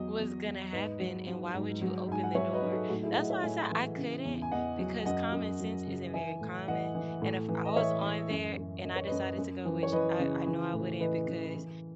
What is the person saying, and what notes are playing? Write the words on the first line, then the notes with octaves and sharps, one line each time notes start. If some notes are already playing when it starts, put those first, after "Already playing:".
Was gonna happen and why would you open the door. That's why I said I couldn't because common sense isn't very common, and if I was on there and I decided to go, which I I know I wouldn't because
Already playing: E2 F#3 D#5
E2
E2
G#2 B4 D#5
F#3
F#3
G#2
F#3
G#2 G#5
F#5
F#3 C#5 E5
B4 D#5
F#3
F#4 A4
A2 D#4 F#4
E4 G#4
A2 D#5 F#5
C#5 E5
A2 E5 G#5
E3
C#3
E2
G#5
E2 D#5 F#5
F#3
F#2 D#5 F#5
F#2
F#3
C#3
E3 E5 G#5
A2
E3 D#5 F#5
E3
A2
E3
D#5
E3 C#5 E5
E3
F#2
F#2
F#2 D#5
C#5
F#2 B4 D#5
F#2
E3
C#5
E3 B4 D#5
C#3
E3
A2
E3 B4 D#5
E3
E3